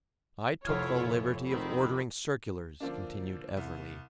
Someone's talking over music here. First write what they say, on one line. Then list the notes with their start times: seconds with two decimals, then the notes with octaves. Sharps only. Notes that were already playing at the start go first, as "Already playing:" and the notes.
"I took the liberty of ordering circulars," continued Everley.
0.65 F1 E4 F4 C#5 F6 G#6
1.46 D#3 C4 B5
2.80 D3 F3 A#3 D4
3.57 C2